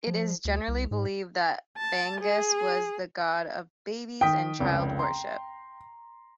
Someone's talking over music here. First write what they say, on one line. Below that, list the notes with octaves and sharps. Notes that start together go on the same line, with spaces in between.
It is generally believed that Fagus was the god of babies and child worship.
F3
D2
C2
G#2
A5
G#4
D#3 G5 D#6 B6
F1 C#2 C#3
A#5 C6